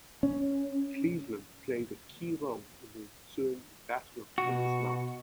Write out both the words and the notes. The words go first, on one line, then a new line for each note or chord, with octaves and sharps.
Cleveland played a key role in the ensuing Battle of Kings Mountain.
C#4
B2 F#4